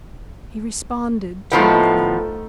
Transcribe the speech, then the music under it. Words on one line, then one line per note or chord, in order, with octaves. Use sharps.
He responded to nothing.
A2 F3 A3 B3 D#4 G5